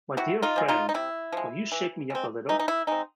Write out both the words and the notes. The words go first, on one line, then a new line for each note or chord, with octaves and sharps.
My dear friend, will you shake me up a little?
C3 E4 F#4
D#4 F4
F3 G#3
D#4 F4
D#4
C3 E4
F3 G#3
E3
G#3 C4
E3 D#4
D#4
E4
G#3 C4 D#4